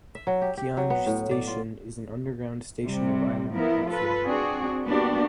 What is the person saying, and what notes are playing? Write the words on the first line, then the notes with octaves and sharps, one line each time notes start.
Qiange station is an underground station of island platform.
E5
F#3
G4
G4
F#3
B3
A2
D5
F4
C3 G3 C4
F3 B3 E4 A#4
F4 A4 B4
C4 D4 F#4 G#4
A#3 B3 D4 F#4 G4